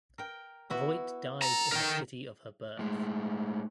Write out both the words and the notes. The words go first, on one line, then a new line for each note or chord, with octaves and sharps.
Voigt died in the city of her birth.
A#4 G5
B3 E4 F#4
A4 A#5
D#4 A#4 G5
A2 G#3